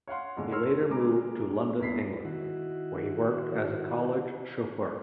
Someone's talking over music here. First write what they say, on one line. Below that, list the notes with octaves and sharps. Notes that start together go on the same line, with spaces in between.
He later moved to London, England, where he worked as a college chauffeur.
C#5 F5 F#5 C6
F2 D3 G#3
A#4 C#5 C6 E6 F6
G#3 A#5 D6
E2 E4 B6 C7
D#3 E4 F#4